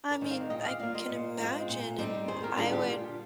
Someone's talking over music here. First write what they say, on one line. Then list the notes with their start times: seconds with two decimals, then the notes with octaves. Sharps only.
I mean, I can imagine, and I would,
0.10 A#4 D5
0.21 D#3 G#3 C4 D#4
0.31 D5 F5
0.50 A#2 D#5 G5
0.65 D5 F5
0.79 G3 A#3 F4 D5 F5
0.94 C5 D#5
1.09 A#2
1.40 G#3 C4 F4
1.68 A#2
1.99 G3 C4 D#4
2.28 D#2 G#4 C5
2.43 G4 A#4
2.58 D3 G3 D4 F4 G#4
2.73 G4
2.88 A#2 F4